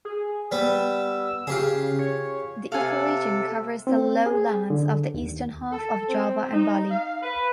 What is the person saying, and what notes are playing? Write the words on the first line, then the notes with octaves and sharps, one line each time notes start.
The ecoregion covers the lowlands of the eastern half of Java and Bali.
G#4
G3 B3 E6
C#3 F4 G4 G#4
C#5
C3 A4 F5 F#5 G#5
C4
G#4
D3
D#2
A4
C4
D#4
F5
B4